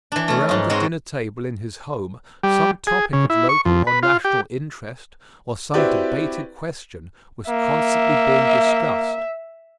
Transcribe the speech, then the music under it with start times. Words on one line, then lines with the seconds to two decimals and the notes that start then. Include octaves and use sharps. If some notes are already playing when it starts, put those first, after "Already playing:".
Around the dinner table in his home some topic of local or national interest, or some debated question, was constantly being discussed.
0.12 E3 D4
0.28 A3 C#4
0.49 G#2 D#4
0.70 G#3 B3 C4 D#4 F#4
2.43 G3
2.87 G#4
3.13 C#3
3.30 E4
3.49 C#6
3.65 F2
3.87 B4
4.03 F4
4.25 G4
5.74 C4 E4 F#4 G4 B4 D5
7.50 A#3 E5